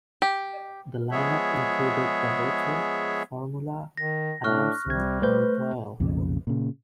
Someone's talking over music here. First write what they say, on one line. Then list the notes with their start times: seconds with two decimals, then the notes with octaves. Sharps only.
The lineup included Devoto, Formula, Adamson and Doyle.
0.22 G4
1.11 F3 G#3 B3 G#4 C#5 E5
3.97 D#3 A#6
4.44 A2 D4 C#6 F6 F#6
4.86 C2 C3 G3 G#6
5.22 A3 B4 C5 G6
6.00 B1 F2 A#2 C#3
6.47 A#2 C#3